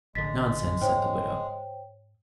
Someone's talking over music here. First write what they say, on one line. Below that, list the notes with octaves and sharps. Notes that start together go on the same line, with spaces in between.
"Nonsense," said the widow.
A1 D3 G#3 A6 B6
G#2 C5 C#5 G5